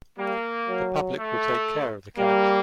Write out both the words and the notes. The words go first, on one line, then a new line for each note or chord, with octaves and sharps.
The public will take care of the cat.
G3 A#3
F#3
A3
G3 A#3